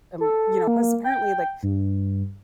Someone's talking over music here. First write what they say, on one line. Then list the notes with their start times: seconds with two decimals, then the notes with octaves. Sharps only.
um you know, 'cause apparently, like,
0.21 A4
0.67 A#3
1.04 G5
1.63 G2